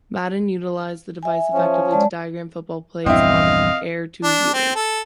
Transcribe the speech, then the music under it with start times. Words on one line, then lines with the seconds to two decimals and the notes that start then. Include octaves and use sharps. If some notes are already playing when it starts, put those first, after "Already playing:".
Madden utilized the device effectively to diagram football plays on-air to viewers.
1.23 E5 G#5
1.52 F3 C#4
1.91 G#3 D5 A5
3.06 A#1 E2 G2 C4 E4 D#5 F5
4.24 D4
4.54 C4
4.76 A4